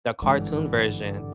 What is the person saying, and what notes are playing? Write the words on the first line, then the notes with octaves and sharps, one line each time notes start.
the cartoon version,
G#1 G2 D3 E3 G#3